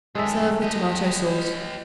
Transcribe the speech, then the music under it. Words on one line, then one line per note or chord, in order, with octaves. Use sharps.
Serve with tomato-sauce.
F#2 D#3 G#3 A4 E5
G4 D#5